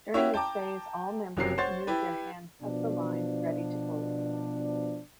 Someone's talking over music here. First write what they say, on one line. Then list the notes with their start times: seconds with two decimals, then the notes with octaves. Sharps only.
During this phase all members move their hands up the line ready to pull.
0.14 C#4 E4 F#4 G4 C#5 E5
0.34 G5 A5 A#5 D6
1.37 F#1 C3 F#3 A#4 C7
1.58 C5 C#5 F#5 C6 A6
1.87 E4 G4 B4
2.61 B2 F3 D4